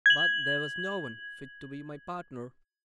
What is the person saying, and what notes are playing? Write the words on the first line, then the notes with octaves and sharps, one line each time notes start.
But there was no one fit to be my partner.
G#6 F#7